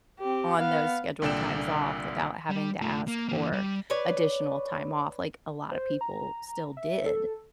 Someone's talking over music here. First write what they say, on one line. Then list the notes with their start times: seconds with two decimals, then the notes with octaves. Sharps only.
on those scheduled times off without having to ask for additional time off, like, a lotta people still did.
0.20 C4 G4
0.58 B3 F5
1.22 C2 A#2 D3 D5 G5 E7
2.50 G3
2.82 A3 F4
3.08 A#3
3.29 E3 A#3
3.52 G3
3.90 B4 C#5 D5
5.72 C5
6.01 A#5
6.77 E5
7.06 A4